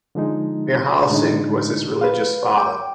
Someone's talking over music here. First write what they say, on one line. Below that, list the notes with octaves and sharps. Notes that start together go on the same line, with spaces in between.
Nihal Singh was his religious father.
D3 F3 G#3 D#4
A2 D3 G#3 D4 D#4
B4 F5
G5 D6